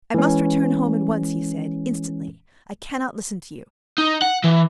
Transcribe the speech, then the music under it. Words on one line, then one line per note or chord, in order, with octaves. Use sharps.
"I must return home at once," he said, "instantly; I can not listen to you."
E3 G#3 C#4
D#4
F#5
E3